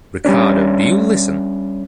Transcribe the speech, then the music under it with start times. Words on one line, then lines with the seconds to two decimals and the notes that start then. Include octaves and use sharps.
Ricardo, do you listen?
0.25 G3 G#3 C#4 D4